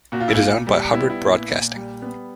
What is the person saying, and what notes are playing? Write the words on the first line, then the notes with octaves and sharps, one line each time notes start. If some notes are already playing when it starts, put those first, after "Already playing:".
It is owned by Hubbard Broadcasting.
A#2 F#4
F4
E4
A#2 F4
G3
B3 E4
E4
A#2
A#2
G3
B3